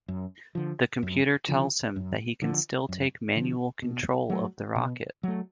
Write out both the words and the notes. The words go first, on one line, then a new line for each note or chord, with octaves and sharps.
The computer tells him that he can still take manual control of the rocket.
F#2
D3 F3
F#2
D3 F3
F#2
D3 F3
F#2
D3 F3
B2
F#3 A3
B2
F#3 A3